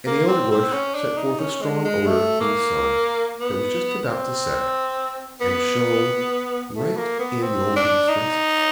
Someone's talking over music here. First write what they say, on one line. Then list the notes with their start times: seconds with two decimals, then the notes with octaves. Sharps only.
And the Elderbush sent forth a strong odour in the sun, that was just about to set, and shone right in the old people's faces.
0.07 A#3
0.28 C4
0.51 C4
0.73 C#4
0.95 D4
1.17 D#4
1.40 C#4
1.62 G#3
1.84 G#3
2.07 A3
2.40 A#3
3.40 B3
4.07 C4
5.41 B3
6.76 A3
6.97 A#3
7.19 B3
7.43 C4
7.76 D4
8.09 D#4